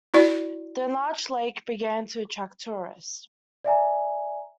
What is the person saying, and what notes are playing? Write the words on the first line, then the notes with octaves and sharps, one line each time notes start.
The enlarged lake began to attract tourists.
E4 F#4 D5
D5 E5 G#5 A#5